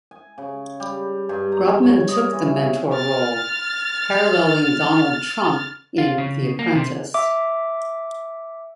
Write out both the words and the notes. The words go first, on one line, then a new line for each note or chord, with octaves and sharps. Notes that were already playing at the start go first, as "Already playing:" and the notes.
Grubman took the mentor role, paralleling Donald Trump in "The Apprentice".
G#5
C#3
G3
G2
A#5
C#5
D#5
E3
C#3
F6 A6
F4
C#3
A#3
C3
E5 D6